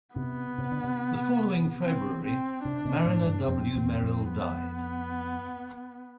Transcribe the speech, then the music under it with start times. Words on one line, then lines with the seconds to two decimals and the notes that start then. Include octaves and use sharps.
The following February, Marriner W. Merrill died.
0.16 C3 B3
0.58 C3
0.72 D3
0.84 C3
1.82 C4
2.24 C4
2.65 C3 D4
2.85 B2
3.06 A2
3.20 A2
3.26 G2
3.47 F2 C4
3.75 E2
4.03 F2
4.31 B3